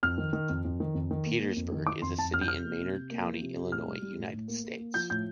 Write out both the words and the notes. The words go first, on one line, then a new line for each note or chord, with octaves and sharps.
Petersburg is a city in Maynard County, Illinois, United States.
F2 F6
D#3
D#3
F2
F2
D#3
F2
D#3
A#3
A#3
F2
D#3
D#3 D6
F2 C6
F2 A5
F2 F6
G6
C3 F6
A#3
C3
C3
A#3
F3
C3
C3
A2 F6
G3
G3
A2
A2
A#3
A#3
A#3
F3 G6
A2 G6